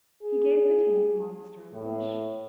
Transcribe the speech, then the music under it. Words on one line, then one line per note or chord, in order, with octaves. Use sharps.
He gave the tame monster a push.
G#4
A2